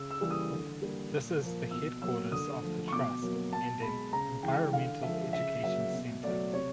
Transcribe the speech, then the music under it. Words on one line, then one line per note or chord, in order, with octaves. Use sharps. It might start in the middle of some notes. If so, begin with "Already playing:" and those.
This is the headquarters of the trust and an environmental education centre.
Already playing: C#3 E6
E6
E3 G3 A#3 E6
D#6
D3
G3 A#3
A#2
F3 A#3
B2 E6
F#3 A#3 E6
D3 D#6
F3 A3
C#6
B2 D6
F#3 A#3
B2 A5
G#3 B5
C#3 A#5
E3 G#3 G5
D3 F5
F3 G#3 E5
C#3 E5
F#3 A#3 E5
B2
F#3 A3 D5
C3 C#5